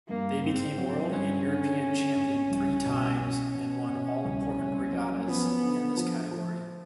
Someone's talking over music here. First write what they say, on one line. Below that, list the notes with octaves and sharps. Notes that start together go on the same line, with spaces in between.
They became world and European champion three times and won all important regattas in this category.
G2 A#3
G#1 C4
F#3
G2 C#4
D3
D3
G#1
C2
B2
B2 C#4
B2
B2
C2
C2
F#3
F3 B3
D3
F3
F3